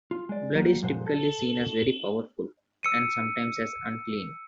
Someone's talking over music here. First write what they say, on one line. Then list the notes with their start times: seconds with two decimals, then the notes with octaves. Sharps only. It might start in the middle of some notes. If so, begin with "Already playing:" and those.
Blood is typically seen as very powerful, and sometimes as unclean.
0.11 F4
0.29 G#3 D5
0.55 D#2 F#3 A#3 G4
0.82 F#2 A#2 F3 G#3 F#4 C5
1.06 A4
2.83 E6 C#7 D#7